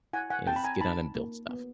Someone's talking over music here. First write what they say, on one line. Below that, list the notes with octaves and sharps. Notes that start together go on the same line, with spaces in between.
is get on and build stuff,
E4 F#5 G#5
F#5 G#5
C4 G5 A5
B5
G#5 A#5
D#4 A5 B5
A#3
B3